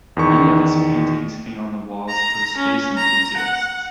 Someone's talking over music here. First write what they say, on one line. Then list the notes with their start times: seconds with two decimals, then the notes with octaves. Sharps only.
Many of his paintings hang on the walls of space enthusiasts.
0.17 E2 D#3 C#6
2.08 A#5
2.58 C#4
2.97 A#5
3.37 F#5